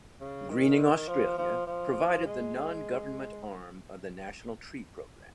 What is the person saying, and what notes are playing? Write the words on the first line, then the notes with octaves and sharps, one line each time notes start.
Greening Australia provided the non-government arm of the National Tree Program.
C#3
D#3
F3
F3
F3
G#3